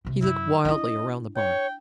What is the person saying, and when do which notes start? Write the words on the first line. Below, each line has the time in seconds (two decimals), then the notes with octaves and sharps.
He looked wildly around the barn.
0.05 A#1 C3
0.22 F#2 E4
0.65 D4 E4 D#5
1.36 C#5 G5